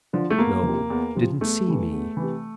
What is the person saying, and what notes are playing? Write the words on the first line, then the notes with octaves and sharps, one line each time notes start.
No. Didn't see me.
D3 F3
A3
E2 A#3
C3 F3
E2
C3 F3
E2 A3
C3 E3
E2
E3
C3